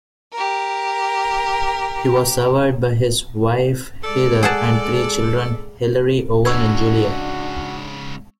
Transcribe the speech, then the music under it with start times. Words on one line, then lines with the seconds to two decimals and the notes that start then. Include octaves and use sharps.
He was survived by his wife Heather and three children, Hilary, Owen and Julia.
0.33 G4 A#4
4.04 G#3 A4 D5
4.43 G#4 F#5 A5
6.45 G#2 C#3 D4 F#4 C#6 E6 G#6